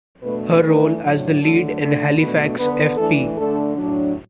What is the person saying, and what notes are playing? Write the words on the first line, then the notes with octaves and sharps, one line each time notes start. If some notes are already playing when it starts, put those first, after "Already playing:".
Her role as the lead in Halifax f.p.
B2 A3 D4 B4
E3 A3 D4 B4
A2 F#3 D4
D3 F#3 A3 A4
D3 A3 D4 A4
B2 A3 D4 B4
D3 B3 D4 B4
E3 A3 D4 A4
D3 A3 D4 A4
A2 F#3 D4